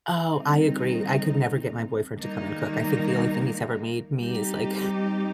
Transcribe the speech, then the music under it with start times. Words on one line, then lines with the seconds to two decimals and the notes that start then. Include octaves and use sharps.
Oh, I agree. I could never get my boyfriend to come and cook. I think the only thing he's ever made me is, like,
0.24 D#3 G3 C4 D#4
2.21 D#3 G3 A#3 D#4
4.19 G3 C4 D#4 G4